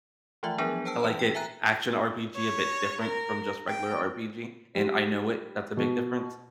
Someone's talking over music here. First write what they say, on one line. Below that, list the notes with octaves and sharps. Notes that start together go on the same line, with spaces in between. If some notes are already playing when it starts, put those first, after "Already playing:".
I like it. Action RPG, a bit different from just regular RPG, and I know it. That's a big difference,
E3 F3 A3 F4 E5
F3 F#3 B3 D4 G#4 A#4
C5 G5 A5 E6
E3 B4
G5
E5 G#5 A#5 F#6
C#5
A#4
G5
G3
B2